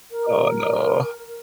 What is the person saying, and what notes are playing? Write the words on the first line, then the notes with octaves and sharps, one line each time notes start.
Oh, no.
A#4